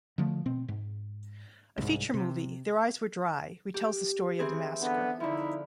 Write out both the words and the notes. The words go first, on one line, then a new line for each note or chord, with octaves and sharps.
A feature movie, "Their Eyes Were Dry", retells the story of the massacre.
D3 F3 A3
B2 C4
G#2
C2 G#2
C3
G4
E3 C4 G#4
D3 B3
D3 F3 D#4 E4